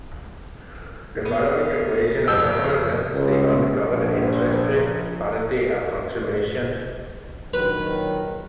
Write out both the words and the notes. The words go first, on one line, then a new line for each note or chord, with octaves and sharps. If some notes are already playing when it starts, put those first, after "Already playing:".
The following equation represents the uncovered interest rate parity approximation.
B3
F2 E6 G6
C#2
A#1
A#1 D#3 F#3 B4